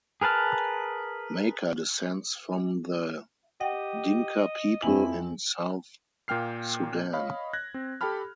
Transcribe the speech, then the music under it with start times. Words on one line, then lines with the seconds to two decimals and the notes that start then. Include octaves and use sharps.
Maker descends from the Dinka people in South Sudan.
0.21 G#4 A#4 B4 A5 F6
3.61 G4 D#5 F#5 G5
4.82 F2 C4 E4 G#5 F#7
6.28 A#2 A#3 G5 F6 C7
7.13 C#5 D#5 F5 B5
7.53 F#6 G#6 A#6
7.74 C4
8.01 G4 A4 G5 A5 B5 F6